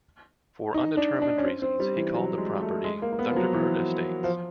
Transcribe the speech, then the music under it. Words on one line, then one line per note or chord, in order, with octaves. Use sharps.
For undetermined reasons he called the property "Thunderbird Estates".
D#4
D4
D4
C#4
C4
C4
G3
E3
F#3
G#3
A3
G#3
A#3
A#3
B3
F3
F#3
E3
F3